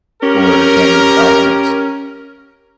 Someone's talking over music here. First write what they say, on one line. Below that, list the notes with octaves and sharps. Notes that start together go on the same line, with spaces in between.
or damage objects.
C#4 G4 A#4